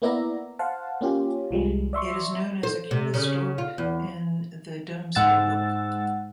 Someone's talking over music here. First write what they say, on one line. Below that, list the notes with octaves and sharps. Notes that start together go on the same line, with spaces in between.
It is known as Aculestorp in the "Domesday Book".
A#3 B3 E4 D5 E5 A#5
C5 F5 F#5 A5
A#3 C#4 F4 G4
C2 F3 G3 G#3
D5 E5 C6 C#6
C5
C3
C#3
F4
E2
G#2 F#5 E6 A6